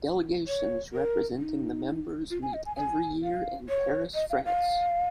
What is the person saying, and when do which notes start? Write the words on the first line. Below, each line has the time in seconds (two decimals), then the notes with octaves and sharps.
Delegations representing the members meet every year in Paris, France.
0.47 C#5
0.94 A#4
1.39 D#4
2.30 F4
2.43 G#5
2.54 D#5
2.66 G#5
2.76 G#5
3.23 F5
3.69 C#5
4.14 D#5
4.30 F5
4.45 F5